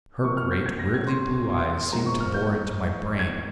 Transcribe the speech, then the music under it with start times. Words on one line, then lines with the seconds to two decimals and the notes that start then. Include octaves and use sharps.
Her great, weirdly blue eyes seemed to bore into my brain.
0.23 C3 F3 A#3 C#6
0.37 F6
0.51 G6
0.66 G#6
0.79 A#6
0.94 G#6
1.07 C6
1.50 C6
1.92 G#2 F3 A#3 A#5
2.06 C#6
2.20 F6
2.34 G6
3.19 G#6